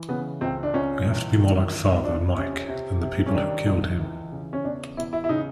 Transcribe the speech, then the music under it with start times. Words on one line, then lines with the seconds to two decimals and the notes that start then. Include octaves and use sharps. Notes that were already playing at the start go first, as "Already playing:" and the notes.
We have to be more like Father Mike than the people who killed him.
Already playing: E3
0.08 C#3 B3
0.41 C#2 C4
0.63 D4
0.74 C#2 C#4
1.06 E3
1.39 D#3
1.71 C#2
2.04 C#2 D4
2.36 C3 C#4
2.69 C3
3.01 C3
3.26 C#4
3.34 D#3 D4
3.67 C#2
3.99 E3
4.32 C#3
4.53 C#4
4.64 E2 D4
4.97 E2 E4
5.13 E4
5.24 E4
5.29 C#3 D#4